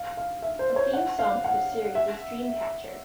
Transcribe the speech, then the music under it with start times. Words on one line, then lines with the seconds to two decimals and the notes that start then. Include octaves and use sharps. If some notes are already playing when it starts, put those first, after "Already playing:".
The theme song for the series is Dream Catcher.
Already playing: F5
0.17 F5
0.42 E5
0.59 C5
0.76 C#5
0.93 F#5
1.19 F5
1.44 F#5
1.95 E5